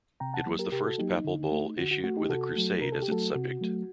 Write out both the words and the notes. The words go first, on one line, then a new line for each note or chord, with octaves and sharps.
It was the first papal bull issued with a crusade as its subject.
C3 G5 A#5
F#5 A5
F#3 A#3
G4 A#4
C3 G4 A#4
F#4 A4
F#3 A#3 D#4 G4
D#4
D3
A3
D3 F#4
F#4
A3 F#4
D#4 G4
C3 F#4 A4
F#3 A3
C3 A#4
A4
G4
F#3 A3 F#4 A4
C3 F#4
F#3 A3